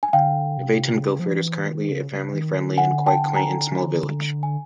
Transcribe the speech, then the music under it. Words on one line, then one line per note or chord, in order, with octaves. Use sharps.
Aveton Gifford is currently a family friendly and quite quaint and small village.
G#5
D3 F5 G5
C3
C#3
F3
E3
D#3
C#3
C#3
D#3
D3
F#5 G#5
G5 A5
G#5 A#5
G#5